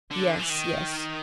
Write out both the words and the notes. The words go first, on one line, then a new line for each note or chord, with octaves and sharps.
"Yes, yes."
D3
E3
D#3